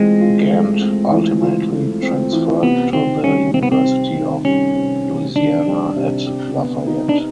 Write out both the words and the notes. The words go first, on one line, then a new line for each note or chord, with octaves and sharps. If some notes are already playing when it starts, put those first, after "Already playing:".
Gant ultimately transferred to the University of Louisiana at Lafayette.
Already playing: E3 G#3 A3 C4 F4
F4
A3
C4
E3
F4
A3
C4
E3
C3 B3
D#3 C4
G3 C#4
C3 C4
B3
C4
C3
D#3
G3 C#4
C3
C3
D#3 D4
G3
C3
G4
B3
D#4
D4